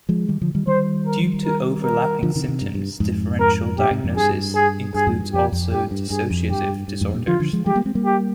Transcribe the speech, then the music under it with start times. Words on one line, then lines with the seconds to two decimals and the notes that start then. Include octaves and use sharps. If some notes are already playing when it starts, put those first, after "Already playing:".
Due to overlapping symptoms, differential diagnosis includes also dissociative disorders.
0.09 F3 G#3
0.28 D#3 G3
0.41 D3 F3
0.55 D#3 G3
0.67 D#3 G3 C5
1.06 A#4
1.45 A#4
1.84 A#4
2.23 D3 F3
2.35 C3 D#3
2.44 D3
2.48 C3 D#3
2.61 G2
2.74 G2
3.00 F2 G#2
3.39 A#4
3.78 G2 A#2 G4
3.91 G#2 C3
4.04 F2 G#2
4.17 G2 G#4
4.55 G#4
4.94 G2 G#4
5.07 F2 G#2
5.20 G2
5.33 F2 G4
5.52 F2
5.72 G2 G4
5.91 G2
6.10 G2 G#4
6.30 F2
6.49 G2 G4
6.88 G2
7.01 F2 G#2
7.14 G2 A#2
7.27 D3 F3 F4
7.40 D3 F3
7.53 F3 G#3
7.66 F3 G#3 G4
7.75 G3 A#3
7.85 G#3 C4
7.95 G3 A#3
8.05 G4